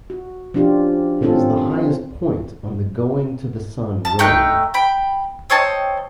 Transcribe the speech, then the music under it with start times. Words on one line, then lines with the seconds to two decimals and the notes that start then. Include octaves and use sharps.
It is the highest point on the Going-to-the-Sun Road.
0.10 F#4
0.54 F3 C#4 D4 F4 G4
1.22 D#3 C4 C#4 F4 A4
4.05 A5
4.19 A3 D#4 G5 F#6
4.74 G5 B5
5.50 C4 C#5 D#5 A5